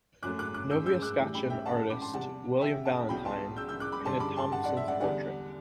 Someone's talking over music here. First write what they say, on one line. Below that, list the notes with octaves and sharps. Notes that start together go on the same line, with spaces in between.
Nova Scotian artist William Valentine painted Thompson's portrait.
F#2 F#3 A3 D6 F#6
D6 F#6
D6 F#6
E6 G6
E6 G6
D6 F#6
A2 E3 G3
G5 B5
E5 G5
F#5 A5
B5 D6
A5 C6
E2 C3 G3 F#5 A5
E5 G5
F#5 A5
C2 B2 F#3 G5 B5
A5 C6
E6 G6
E6 G6
D6 F#6
B5 D6
G2 D3 G3 A5 C6
B5 D6
A5 C6
F#5 A5
D5 F#5
E5
D5 F#5
E2 D3 G3 D5 F#5